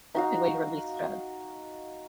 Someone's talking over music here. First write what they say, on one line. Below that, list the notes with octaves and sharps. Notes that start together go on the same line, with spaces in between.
That's a good way to release stre
D#4 F#4 F5